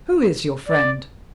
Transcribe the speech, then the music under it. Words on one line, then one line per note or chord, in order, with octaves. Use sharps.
"Who is your friend?"
D5